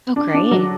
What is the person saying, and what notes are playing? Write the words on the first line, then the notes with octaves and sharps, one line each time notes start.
Oh, great.
D4
D4
F#3